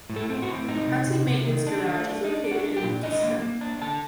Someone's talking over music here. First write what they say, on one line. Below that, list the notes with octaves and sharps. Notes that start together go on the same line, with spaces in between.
The county maintenance garage is located in Lucasville.
A2
A4
C4
F#4
A2
C4 D#4
C3
C3
C3
D#3
D4
A3
D4
D4 D#4
D4
F#4
D4
G4
A#2
D4 D#5
A#3
A#3
D4
D3 A5